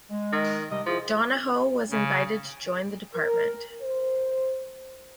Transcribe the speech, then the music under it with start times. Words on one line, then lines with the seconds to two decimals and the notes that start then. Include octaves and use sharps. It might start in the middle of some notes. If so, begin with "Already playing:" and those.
Donahoe was invited to join the Dept.
0.10 G#3
0.32 D#3
0.70 C3 G3 D#5
0.86 F3 E4 F4 G#4
1.91 C#3
3.15 A#4
3.81 C5